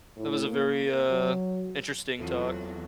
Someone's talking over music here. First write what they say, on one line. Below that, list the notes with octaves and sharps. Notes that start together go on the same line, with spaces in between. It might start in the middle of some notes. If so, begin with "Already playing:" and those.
That was a very, uh, interesting talk.
A2
A#3
F#3
E2 F#3 C4 F4 A4